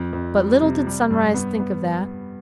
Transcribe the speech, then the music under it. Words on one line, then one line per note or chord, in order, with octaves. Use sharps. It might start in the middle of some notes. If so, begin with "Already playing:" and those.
But little did Sunrise think of that.
Already playing: F2
F2
G3
C3
G3
G2
B3
B3